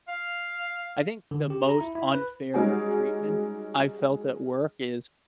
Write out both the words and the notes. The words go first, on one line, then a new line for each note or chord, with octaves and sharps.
I think the most unfair treatment I felt at work is
F5
D3
G4
A#5
E4
E4
B4
G3 G#3 C#4 D#4 F#4 G#4